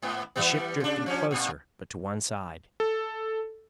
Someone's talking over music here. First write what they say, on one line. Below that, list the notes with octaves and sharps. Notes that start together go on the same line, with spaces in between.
The ship drifted closer, but to one side.
G#2 B3
E3 G3 B3
C#3 D4
F3 C#4 D4
G2 A#2
A4